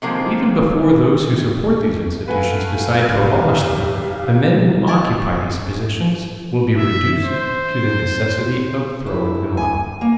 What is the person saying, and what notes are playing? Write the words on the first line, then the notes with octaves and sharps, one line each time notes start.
But even before those who support these institutions decide to abolish them, the men who occupy these positions will be reduced to the necessity of throwing them up.
C3 D#3 F3 G#3 A#3 C4
A3 B4 F5 F#5 G#5
B1 G4
D#5 G#5 C#6 G#6 A6 D7
E5
C5
E4
G#5
A#3